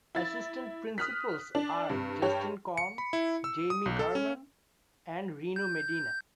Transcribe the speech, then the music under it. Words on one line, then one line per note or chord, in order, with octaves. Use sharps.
Assistant principals are Justin Conn, Jaime Garman, and Reno Medina.
E4 A6
D#6 F6 F#6 B6
D4
G2 C3
G2 G4 C#5
C#7
B5
E4
E6
D#6
B1
A4
C#4
G6